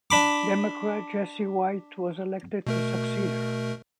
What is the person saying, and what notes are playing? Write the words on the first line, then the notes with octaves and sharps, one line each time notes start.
Democrat Jesse White was elected to succeed her.
D4 B5 D6
B2 A3 A#4